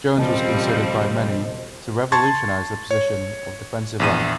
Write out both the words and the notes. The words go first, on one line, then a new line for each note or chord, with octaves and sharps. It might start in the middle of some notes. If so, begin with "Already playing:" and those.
Jones was considered by many to revolutionize the position of defensive end.
E1 C#3 F3 G3 C4 C5 D#5 A5
A5 C6 C#6 G#6 A6
C#5
A#1 E2 D#7